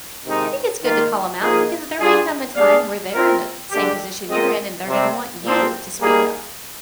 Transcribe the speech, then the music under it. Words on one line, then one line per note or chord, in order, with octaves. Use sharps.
I think it's good to call 'em out because there may come a time where they're in a same position you're in and they're gonna want you to speak up.
C3 D#3 G#3 D#4
D#3 A#3 F4
F3 A#3 D#4 G#4
G3 D4 F4 G#4
G3 D4 G#4 D5 F5
C4 F4 A#4
D3 G#3 D4 G4
G#3 C4 F4 A#4 D#5
C3 G3 C4
A#2 F3 C4
G3 A#3 D#4 G#4